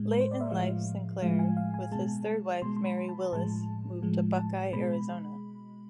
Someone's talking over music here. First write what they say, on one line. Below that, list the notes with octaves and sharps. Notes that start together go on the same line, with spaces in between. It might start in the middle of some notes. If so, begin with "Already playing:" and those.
Late in life Sinclair, with his third wife Mary Willis, moved to Buckeye, Arizona.
Already playing: A2 G#3
B4
C5
D5
E5
A2 F3 G#3 F5
A2 F3 G#3 F5
G#5
F5
G#5
B2 G#3 A5
B2 G#3 C6
C6
B5
A5
A2 F3 G#3 A5
A2 F3 G#3
A5
B2 G#3 B5